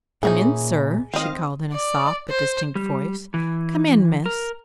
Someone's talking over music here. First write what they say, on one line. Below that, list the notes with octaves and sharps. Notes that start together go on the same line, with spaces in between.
"Come in, sir," she called in a soft but distinct voice; "come in, miss."
A#2 E3 C#4 D#4 G#4
D#3 C4 D#5 F5
D5
C5
G3
E3
A#4